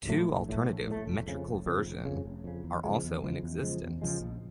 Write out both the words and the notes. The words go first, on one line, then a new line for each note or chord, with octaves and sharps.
Two alternative metrical version are also in existence.
A2 F#3 A3
A#1
A2 F#3 A3
A#1
A2 F#3 A3
F1
F2 C#3
F1
F2 C#3
F1
F2 C#3
F1
F2 C#3
E2
C#3 F3 G#3
E2
C#3 F3 G#3
E2
C#3 F3 G#3
E2
C#3 F3 G#3
A#1